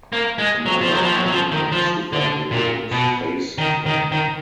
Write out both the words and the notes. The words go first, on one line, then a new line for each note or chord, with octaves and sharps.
Another army of superheroes face them.
A#3
G#3
F#3
F3
F#3
F3
F#3
F#3
F3
D#3
F3
D3
A#2
B2
D#3
D#3
D#3